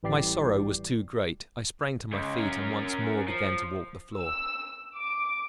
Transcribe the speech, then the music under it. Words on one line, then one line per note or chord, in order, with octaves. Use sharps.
My sorrow was too great; I sprang to my feet and once more began to walk the floor.
A1 E3 G3 G4 D5 C7
C#2
C#4 A#4
F3
E6
D6